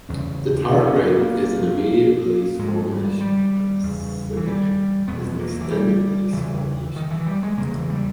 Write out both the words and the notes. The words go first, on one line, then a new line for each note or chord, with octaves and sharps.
The tartrate is an immediate-release formulation and the succinate is an extended-release formulation.
E2 C#3 C#4
B3
C#4
B3
A#3
G2
G#2 G#3
G3
G3
E2 C#3
E3
G3
E2 B2 B3
A#3
E3
G3
E2 C#3 E3
D#3
E3
G3
G#3
E2 C#3 A#3
E3
G3